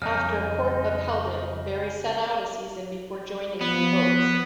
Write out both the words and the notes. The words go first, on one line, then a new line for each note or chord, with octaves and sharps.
After a court upheld it, Barry sat out a season before joining the Oaks.
F2 C#3 G3 D#4 D#5 F6
F3 B3